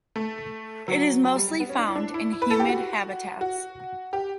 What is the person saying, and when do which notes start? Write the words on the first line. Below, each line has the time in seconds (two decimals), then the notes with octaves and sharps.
It is mostly found in humid habitats.
0.16 A3
0.88 F#3
1.24 F#3
1.36 G3
1.48 G3
1.60 B3
1.69 C#4
1.78 D4
1.87 E4
1.96 D4
2.14 E4
2.32 E4
2.42 B4
2.50 A4
2.60 G4
2.69 F#4
3.41 F#4
4.13 G4